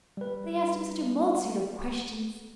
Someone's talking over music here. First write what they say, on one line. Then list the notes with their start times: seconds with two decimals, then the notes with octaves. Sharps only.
They asked him such a multitude of questions!
0.17 G3 B4